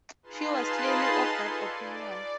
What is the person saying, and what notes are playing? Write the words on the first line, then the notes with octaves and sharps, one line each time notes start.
She was clearly of that opinion.
D#4 F4 G#4 B4 A5 C6
A4 G#5
D5